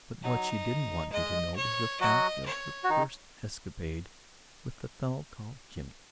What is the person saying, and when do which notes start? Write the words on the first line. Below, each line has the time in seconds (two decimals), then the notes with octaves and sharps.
But what she didn't want me to know was the fact of her first escapade with the fellow called Jimmy.
0.23 F#3 D#4
1.12 G#3 D#5
1.57 C#5
2.01 F#3 F#4 D#5
2.46 C#5
2.84 F#4
2.89 D#3 D#4